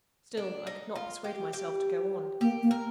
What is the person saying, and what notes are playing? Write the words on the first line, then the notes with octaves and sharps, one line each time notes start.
Still I could not persuade myself to go on.
D4
D#4
F4
G4
G4
A#3 G4
A#3
A#4